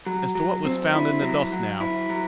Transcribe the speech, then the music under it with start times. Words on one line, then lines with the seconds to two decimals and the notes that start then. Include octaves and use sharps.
'As to what was found in the dust now.
0.06 F#3
0.35 F#3
0.65 C4
0.94 E4
1.22 F#3
1.52 F#3
1.80 E4
2.09 F#3